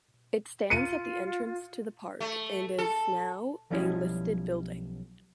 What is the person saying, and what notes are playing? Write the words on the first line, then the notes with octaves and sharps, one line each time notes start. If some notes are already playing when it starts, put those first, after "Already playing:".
It stands at the entrance to the park and is now a listed building.
F4 C#7 D#7
A3
A4
B1 F3 G3 C#4 E4 D#5